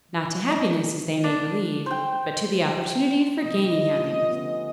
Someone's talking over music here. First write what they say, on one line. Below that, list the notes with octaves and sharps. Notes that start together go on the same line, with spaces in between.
Not to happiness, as they may believe, but to the opportunity for gaining happiness.
D4 D#5 D6
A#3 D4
C5 G5
C3 F3 D#5
A3 B3 F4
D3 B3 C#4